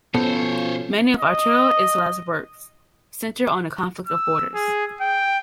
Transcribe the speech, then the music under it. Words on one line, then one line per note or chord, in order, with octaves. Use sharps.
Many of Arturo Islas's works center on the conflict of borders.
B2 F3 B3 C#4 F4 A4 C5 C#5
D#5
E6
G#4
G5